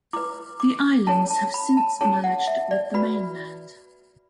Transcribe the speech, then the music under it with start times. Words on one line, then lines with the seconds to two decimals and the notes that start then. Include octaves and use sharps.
The islands have since merged with the mainland.
0.13 E4 B4 D6
0.60 D6
1.07 C#4 E4 G#4 C#5 A5
1.30 A5
1.54 B5
1.77 A5
2.01 C#4 E4 G#4 C#5 A5
2.24 F#5
2.47 E5
2.71 D5
2.94 F#4 B4 B5